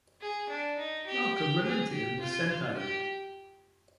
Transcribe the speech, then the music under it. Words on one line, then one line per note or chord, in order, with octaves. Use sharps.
Malcolm relented and was sent home.
G#4
D4
D#4
G4
G4
G#4
G4
F4
F4
G4